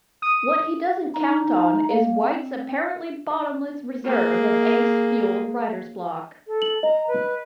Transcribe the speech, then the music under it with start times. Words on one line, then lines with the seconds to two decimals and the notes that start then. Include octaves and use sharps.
What he doesn't count on is White's apparently bottomless reserve of angst-fueled writer's block.
0.22 D#6
1.15 D#4
1.91 A#3
2.22 C4
4.05 A#3 G#4
6.47 A4
6.62 F#7
6.83 D#5 A#5
7.07 B4